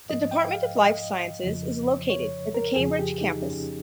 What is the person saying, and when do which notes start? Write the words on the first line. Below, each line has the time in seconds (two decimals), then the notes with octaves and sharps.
The Department of Life Sciences is located at the Cambridge campus.
0.10 G#2 F3 D#5
0.31 G5
0.54 F5
0.76 D#5
1.43 F2 C#3 F3
2.10 C#5
2.54 A#4
2.76 F2 C#3 F3 G#4
2.99 G4
3.21 D#4
3.43 C#4